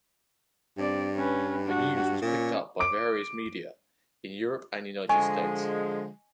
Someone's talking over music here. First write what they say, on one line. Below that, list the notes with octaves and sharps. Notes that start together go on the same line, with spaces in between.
The news was picked up by various media in Europe and United States.
G2 C4 D5
C#4 B4
D4 F#4
A#2 C#4
D6 D7
D3 F3 G#3 D#5 G#5 C#6